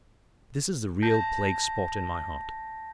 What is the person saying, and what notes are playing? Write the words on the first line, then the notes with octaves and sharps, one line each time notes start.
This is the real plague-spot in my heart.
A5 G6 A#6